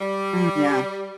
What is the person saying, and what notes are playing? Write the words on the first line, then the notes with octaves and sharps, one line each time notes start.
Mm, yeah.
G3